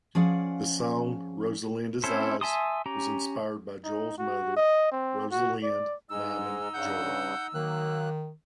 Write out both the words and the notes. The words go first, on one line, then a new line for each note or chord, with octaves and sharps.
The song "Rosalinda's Eyes" was inspired by Joel's mother, Rosalind Nyman Joel.
F3 C#4 G#4 D5 F5 F#5
C4 C#4 E4 A4 C5
E5 G#5 A5 C6 D#6
C#4 G4 A#5
D#4
F#4
D#5
C4
F#4
D5
G#2 G#3 D#4 E6
G2 C#3 F#5 G6
D#3 F#3 A#3 F#6